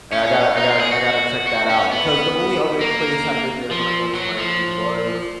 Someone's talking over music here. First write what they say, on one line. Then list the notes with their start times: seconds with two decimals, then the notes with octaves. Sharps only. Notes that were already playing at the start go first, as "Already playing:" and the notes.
Hey, I gotta I gotta I gotta check that out because the only other place I've been there, when I went to Miami, was
0.12 C#4
0.57 D#4
0.69 F4
0.80 G#4
0.91 F#4
1.47 F#4
1.69 C#4
1.91 B3
2.81 A#3
3.71 F3
4.15 F#3
4.38 F3